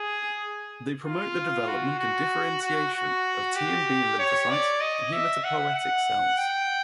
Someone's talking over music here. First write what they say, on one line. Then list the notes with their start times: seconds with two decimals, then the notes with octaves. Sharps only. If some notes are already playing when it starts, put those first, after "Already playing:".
They promote the development and differentiation of T and B lymphocytes, and hematopoietic cells.
Already playing: G#4
1.05 F4
1.68 F#4
1.99 F#4
2.62 F#4
2.94 F#4
3.56 G4
4.19 C#5
4.50 D5
4.81 D#5
5.13 E5
5.44 F#5
5.75 F#5
6.38 G5